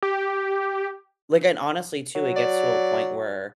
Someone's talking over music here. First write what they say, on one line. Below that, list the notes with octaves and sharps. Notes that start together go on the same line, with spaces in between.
like, and, honestly, too, it gets to a point where
G4
F#3
D5